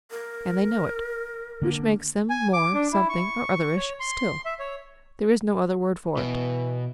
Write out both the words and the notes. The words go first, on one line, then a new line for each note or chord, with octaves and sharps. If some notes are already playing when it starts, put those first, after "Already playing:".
And they know it--which makes them more something-or-otherish still:--there is no other word for it.
A#4
D3 A#3
G#5
D6
D4
E4
C#6
C#5
C6
E5
C#5
B2 E3